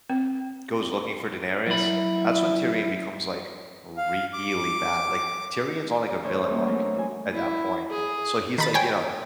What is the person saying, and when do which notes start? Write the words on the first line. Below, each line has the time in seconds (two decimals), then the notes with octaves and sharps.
goes looking for Daenerys, that's when Tyrion becomes, like, really bad. Like, Tyrion's on, like, a villain arc at that point, so he's, like, you know
0.10 C4
1.67 F#3 E4 B5
3.97 F5
4.33 D6
6.23 D2 A2 D3 C5 C#5
6.49 G3 A#3 C#4
6.66 F#3 A3 C4 D4 D#4 A#4
6.94 E3 F#3 G#5
7.34 E4
7.91 G#4
8.58 D#3 B5 A6
8.74 C#5 G5 G#5